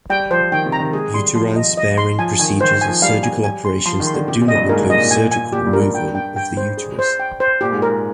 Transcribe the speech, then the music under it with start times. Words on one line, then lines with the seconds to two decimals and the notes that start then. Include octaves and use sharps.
Uterine-sparing procedures are surgical operations that do not include surgical removal of the uterus.
0.09 G3 G5
0.31 F3 C5
0.52 D#3 G5
0.66 C3
0.72 A#5
0.80 D#3
0.93 G#3 G#4
1.14 G3 C6
1.35 F3 C6
1.56 D#5
1.77 D#5
1.98 C6
2.19 F3 G#5
2.40 D#3 G#5
2.61 D#3 C5
2.75 D#3
2.81 G#5
2.88 F3
3.02 G3 F5
3.23 G#5
3.44 G#5
3.65 C6
3.85 F3 C6
4.00 D#3
4.07 C6
4.14 D3
4.27 C3 G4
4.41 A#2
4.48 D#5
4.55 G2
4.69 G#2 A#4
4.80 C3
4.90 A#2 D#5
5.00 A#2
5.11 G#5
5.32 G#5
5.52 A#2 G4
5.66 G2
5.73 A#4
5.80 G2
5.95 G5
6.15 G5
6.36 G5
6.57 C5
6.78 G#4
6.99 C5
7.20 G5
7.40 C5
7.61 A#2 G4
7.72 G#2
7.82 G#2 A#4